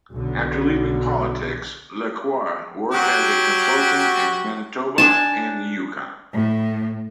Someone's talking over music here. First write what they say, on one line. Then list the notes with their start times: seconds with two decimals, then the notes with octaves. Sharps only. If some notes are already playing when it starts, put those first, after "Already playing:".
After leaving politics, Lecuyer worked as a consultant in Manitoba and the Yukon.
0.13 B1 D3
2.92 F#3 F#4 G4
4.98 D4 G#5 A5
6.34 A2